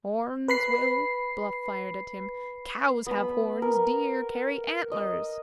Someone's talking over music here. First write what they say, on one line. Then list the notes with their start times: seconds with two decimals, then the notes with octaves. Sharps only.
"Horns, Will?" Bluff fired at him; "cows have horns, deer carry antlers!"
0.48 B4 B5 C7
3.07 B3 B5
3.62 A#4
4.92 D#5